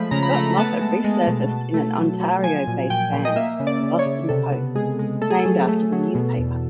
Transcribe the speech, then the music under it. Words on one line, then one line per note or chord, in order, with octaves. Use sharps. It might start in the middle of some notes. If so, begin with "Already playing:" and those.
Scott Moffatt resurfaced in an Ontario-based band The Boston Post, named after the newspaper.
Already playing: F3 G#3 A3 B5
C#3 A#5
B5
A3 A#5
B3 A5
G#3
G#3
B2
B2
A3
F#3
F#3
F3 G#5
A#2
A#2 G5
A#2
D#5
A#3 E5
C#3
D5
C#3
C#5
C#3
C3 A4
B3
G#3 G#4
G#3
A3 A4
G#4
A4
F#3
A3
F#3
B2
E2